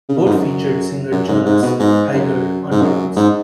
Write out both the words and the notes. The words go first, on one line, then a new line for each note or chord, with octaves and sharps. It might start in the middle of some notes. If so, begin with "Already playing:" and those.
Both featured singer Jonas Heidgert on drums.
C#3
B2
G#2
F#2
F#2
G#2
G#2
B2
G#2
F#2
G#2
F#2
G#2